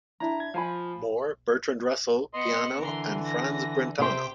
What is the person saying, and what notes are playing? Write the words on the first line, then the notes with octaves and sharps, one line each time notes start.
Moore, Bertrand Russell, Peano, and Franz Brentano.
D4 E4 A#5
G#6
F3 F5 G#5 B5
B3 D#5 C6 C#7
D3 E3 A#4 C6
A#6
C3 G4 C5 G5